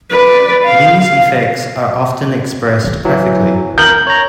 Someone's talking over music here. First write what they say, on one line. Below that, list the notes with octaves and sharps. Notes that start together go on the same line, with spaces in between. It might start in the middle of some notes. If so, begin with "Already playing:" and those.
These effects are often expressed graphically.
B4 D5
F5
F5
E3 F#3
A#4 G6 F#7
C#5 A#5